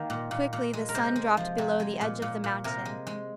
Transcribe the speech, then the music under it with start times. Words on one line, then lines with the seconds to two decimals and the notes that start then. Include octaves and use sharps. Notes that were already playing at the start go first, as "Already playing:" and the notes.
Quickly the sun dropped below the edge of the mountain.
Already playing: D#3 A#3
0.10 A#2
0.31 A#2
0.53 A#2
0.73 G#3
0.89 A#4
0.95 C3 C5
1.16 G#3
1.37 F3
1.58 C3
1.80 G#3
2.01 A#2
2.22 A#2
2.44 A#2
2.64 C3 A#4
2.85 G#3
3.07 G#3